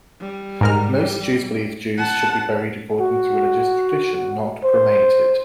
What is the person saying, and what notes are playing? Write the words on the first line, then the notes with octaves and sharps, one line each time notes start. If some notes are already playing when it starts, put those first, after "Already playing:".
Most Jews believe Jews should be buried according to religious tradition, not cremated.
G3
G#2 A#4 F6
F#5 A5
F#4
C5